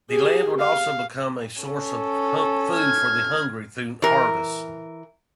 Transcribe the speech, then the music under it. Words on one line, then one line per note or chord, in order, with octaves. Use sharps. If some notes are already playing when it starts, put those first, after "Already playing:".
The land would also become a source of food for the hungry through harvests.
G4 G#4
F5
C#4 A4
F6 G#6
E3 A#4